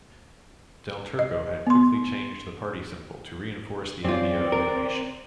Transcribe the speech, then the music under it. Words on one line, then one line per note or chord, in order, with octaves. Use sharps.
Del Turco had quickly changed the party symbol to reinforce the idea of innovation.
D#5
B3 C6
F#2 C4 F4 D5
A#4